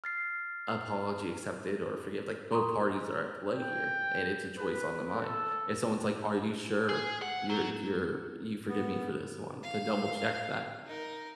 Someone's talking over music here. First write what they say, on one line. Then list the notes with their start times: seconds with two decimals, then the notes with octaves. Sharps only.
apology accepted or forgive, like, both parties are at play here, and it's a choice on the mind. If someone's like, "Are you sure you're you're you forgive me for this one." To double check that,
0.04 F6 A6 C7
2.52 A#5 C6 C#6 D#6
3.52 G5
4.59 B4
5.21 A4
6.89 G#4
7.22 F#5
7.50 F#3
8.69 B3
9.63 F5
10.85 D#4 A#4